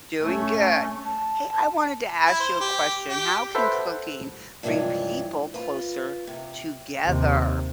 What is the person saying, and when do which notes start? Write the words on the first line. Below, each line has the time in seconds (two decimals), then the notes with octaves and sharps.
Doing good. Hey, I wanted to ask you a question, how can cooking bring people closer together?
0.23 A3 C#4
1.05 A5
2.26 E4
2.40 C5
2.61 G4
3.10 G4
3.55 A4 B4 C5 E5 F#5
4.63 G2 C3 E3 F3 G#3 C#4
5.54 F4 B4
6.27 C3
7.04 D#2 C3